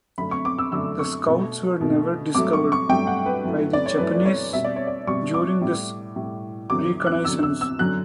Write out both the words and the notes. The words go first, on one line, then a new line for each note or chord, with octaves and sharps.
The scouts were never discovered by the Japanese during this reconnaissance.
F#2 D3 A3 B5
C#6
D6
E6
F#2 D3 A3 E6
C#6
B2 A3
B2 A3
G2 F#3 A3 D6
C#6
C#6
G2 F#3 A3 G5
F#5
B4
F#2 E3 A3
D5
C#5
F#2 E3 A3 B4
C#5
B2 G3 E5
D5
C#5
D5
B2 G3 C#6
D6
A2 G3
A2 G3
E2 D3 F#3 D6
F#6
E2 D3 F#3 E6
E6
E6
F#2 D3 F#3 F#6